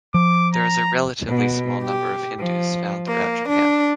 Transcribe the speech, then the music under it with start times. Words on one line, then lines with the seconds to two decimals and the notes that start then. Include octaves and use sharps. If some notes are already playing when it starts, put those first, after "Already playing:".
There is a relatively small number of Hindus found throughout Japan.
0.14 F3 D6
0.54 A#5
1.28 B2
1.83 G4
2.39 F3
3.06 A#3
3.47 D4